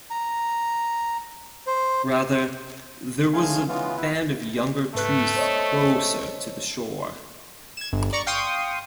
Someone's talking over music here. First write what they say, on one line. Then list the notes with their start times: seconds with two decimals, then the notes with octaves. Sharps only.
Rather, there was a band of younger trees closer to the shore.
0.10 A#5
1.67 C5
3.33 C#3 G#3 A3 F5 G#5
3.68 C#3 E3 G#3 B3 F4
3.97 B3 E4 B4
4.95 G#2 A3 B4 F#6
5.36 C5 C#5 D#5
7.77 G#6 E7
7.92 G1
8.13 D5 A#5 C#6
8.27 F5 G5 C6 C#6 D#6